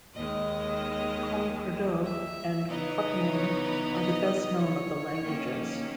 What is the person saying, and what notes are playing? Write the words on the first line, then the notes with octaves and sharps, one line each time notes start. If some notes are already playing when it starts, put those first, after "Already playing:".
Comecrudo and Cotoname are the best known of the languages.
D#2 D#3 G#3 D#5
E5
C#3 E3 B3 D#4 D#5
C#5
B4
D#5
C#5
D#3 A#3 C#4